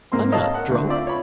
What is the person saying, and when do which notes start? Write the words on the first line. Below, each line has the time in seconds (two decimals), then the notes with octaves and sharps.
I'm not drunk.
0.12 G#2 A#3 C4 C6
0.32 C#5 D#5 F5 A5
0.54 A#4 F#5
0.69 D2
0.87 C4 F4 C5 D5 E5
1.07 C#5 B5